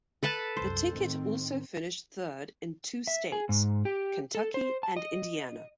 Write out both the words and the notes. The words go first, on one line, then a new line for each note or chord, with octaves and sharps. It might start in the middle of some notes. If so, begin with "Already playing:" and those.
The ticket also finished third in two states: Kentucky and Indiana.
A4 B4 A5
C2 F#2 C5
A2 D#3 C4
E5
G#4
G#2
G4
A4
C5
A5
D#5